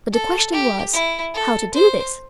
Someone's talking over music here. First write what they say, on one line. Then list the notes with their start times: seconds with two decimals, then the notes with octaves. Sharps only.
But the question was, how to do this.
0.13 A4
0.53 G4
0.93 E4
1.34 A4
1.74 C5